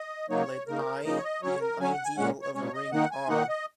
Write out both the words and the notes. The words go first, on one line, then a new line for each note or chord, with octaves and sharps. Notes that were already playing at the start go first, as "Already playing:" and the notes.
Let "I" be an ideal of a ring "R".
Already playing: D#5
C#3 F#3 A#3 D#4 C#5
C#3 A#3 D#4 A#4
C#3 A#3 D#4 D#5
C#5
D#5
F#3 C#4 C#5
A#4
F#3 C#4 G#5
F#5
G#5
A#2 G#3 C#4 F#5
C#5
A#2 G#3 C#4 C#5
D#5
D#3 A#3 D#4 F#5
G#5
D#3 A#3 D#4 F#5
D#5